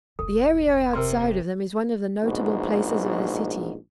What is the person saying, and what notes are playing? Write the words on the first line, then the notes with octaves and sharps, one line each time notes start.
The area outside of them is one of the notable places of the city.
F1 D2 A4
C3 A#4 B4 C6
A#1 G#2 B2